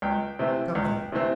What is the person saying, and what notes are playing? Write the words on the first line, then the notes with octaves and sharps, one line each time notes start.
"Come, then."
C#2 G5
C3 E3 A3 C4
C#2
C3 E3 A3 C4